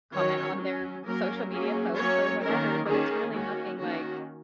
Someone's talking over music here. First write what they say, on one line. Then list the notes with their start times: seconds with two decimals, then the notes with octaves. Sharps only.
comment on their social media posts or whatever, but it's really nothing, like,
0.14 D#3 F#3 C#4 C#5
0.60 F#3 C#4
1.05 F#3 A#3 C#4 A#4
1.51 F#3 A#3 C#4 G#4
1.96 F#3 A#3 C#4 C#5
2.42 D#3 A#3 C#4 A#4
2.88 D#3 A#3 C#4 G#4
3.33 D#3 A#3 C#4 F#4
3.79 D#3 A#3 C#4 F#4